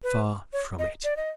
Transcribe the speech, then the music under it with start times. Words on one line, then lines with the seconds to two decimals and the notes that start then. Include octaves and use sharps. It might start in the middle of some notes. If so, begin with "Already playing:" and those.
Far from it.
0.03 B4
0.53 C#5
0.79 D#5
1.04 D5
1.17 D#5